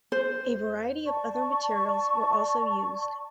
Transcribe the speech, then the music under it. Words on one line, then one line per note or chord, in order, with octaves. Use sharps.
A variety of other materials were aso used.
C5
D5 A5 C#6